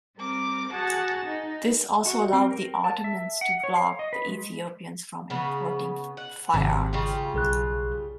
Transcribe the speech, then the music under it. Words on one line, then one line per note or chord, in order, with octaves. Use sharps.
This also allowed the Ottomans to block the Ethiopians from importing firearms.
G3 C4 A#4 D6
F#4 G#4 F#5 A5 A6
D#4
F#4
C4
A#4
A5
E5
F#5
C#5
F5
D#5
B4
G#3
C#3 B3
F#5
G#1 C3
C#3 G3 F4
B1 G#4 F#6